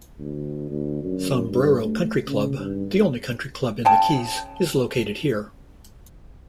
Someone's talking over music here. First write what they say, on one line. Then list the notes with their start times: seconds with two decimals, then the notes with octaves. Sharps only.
Sombrero Country Club, the only country club in the Keys, is located here.
0.19 D2
0.71 D2
1.04 F#2
1.49 G2
1.84 A3
2.27 C#3
2.58 G2
3.85 C#3 G5 A5